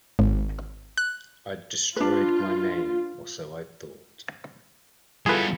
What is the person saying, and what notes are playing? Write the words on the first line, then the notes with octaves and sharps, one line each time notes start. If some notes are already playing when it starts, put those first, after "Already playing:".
I'd destroyed my name, or so I thought.
G#1
F#6
D4 F4 B4
G3 B3 E4 F4 G#4 A4 B4